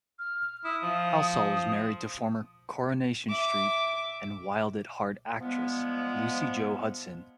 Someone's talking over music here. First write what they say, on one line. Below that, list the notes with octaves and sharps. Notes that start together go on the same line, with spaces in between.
Halsall is married to former "Coronation Street" and "Wild at Heart" actress, Lucy-Jo Hudson.
F6
E4 D#6
F3
E5 D6
F3 G3 G#3 B3